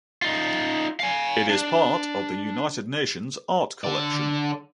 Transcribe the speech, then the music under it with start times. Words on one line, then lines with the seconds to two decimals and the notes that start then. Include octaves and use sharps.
It is part of the United Nations Art Collection.
0.22 D#4 F4
1.00 F5 G#5
1.50 D4
3.84 D3 D5